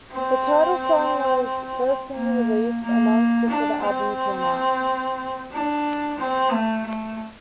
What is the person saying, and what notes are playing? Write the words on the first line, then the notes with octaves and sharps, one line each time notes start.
The title song was first single, released a month before the album came out.
C4
A#3
A#3
D4
C4
D4
C4
A3
A3